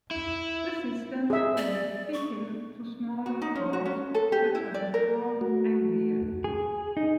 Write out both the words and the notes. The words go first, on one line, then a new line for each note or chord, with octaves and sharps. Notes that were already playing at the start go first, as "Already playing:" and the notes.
The systems could be fitted to smaller cars such as the Ford Anglia.
E4
G#4 E5
D5
C#6
F#4
D#4
C#4
F#4
C#4
A4
G4
E4
D5
A#4
A3 F#4
G#4
D#4